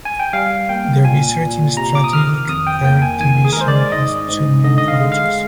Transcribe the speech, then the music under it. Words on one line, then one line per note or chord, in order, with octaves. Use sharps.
The research in strategic fair division has two main branches.
G#5
G5
G3 F5
A#3 G5
A#2 G#5
A#2
C3 A#5
D6
D#6
D#3 F6
F2 D#6
G5
A#3 G5
G#5
D#3 G#5
G#4
A#4
G#3 C5
D5
G#2 D#5
G#2
D3 D#5
D#5
F5
G#3
F5